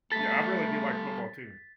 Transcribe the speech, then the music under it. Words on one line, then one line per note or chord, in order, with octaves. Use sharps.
Yeah, I really do like football too.
G3 A3 A4 A6 B6